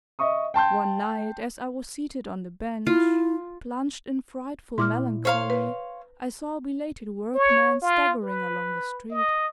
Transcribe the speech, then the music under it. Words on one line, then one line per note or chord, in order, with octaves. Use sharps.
One night, as I was seated on the bench, plunged in frightful melancholy, I saw a belated workman staggering along the street.
D#5 E5 C#6 D#6
G5 A5 C6 G6
E4 F4
A#2 E4 C6 D6 F6
C5 C#5 F5 C6
B4
C#5
F4
B4
D#5